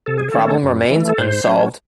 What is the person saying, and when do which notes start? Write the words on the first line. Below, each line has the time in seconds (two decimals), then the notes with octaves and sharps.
The problem remains unsolved.
0.06 C3 A4
0.18 G#4
0.28 A4
0.35 D#3 A3 C#4
0.63 F#2
0.90 E3
0.96 A3
1.09 A4
1.18 G#2 C5
1.46 F#3 C#4